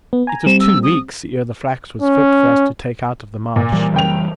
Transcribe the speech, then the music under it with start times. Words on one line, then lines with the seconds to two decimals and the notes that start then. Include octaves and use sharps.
It was two weeks ere the flax was fit for us to take out of the marsh.
0.13 B3
0.27 G#5 A#5
0.46 G3 C4 E7
0.60 E6
0.83 D#6
2.01 C#4
3.56 A#2
3.72 E3 G3
3.94 F#1 G5 F7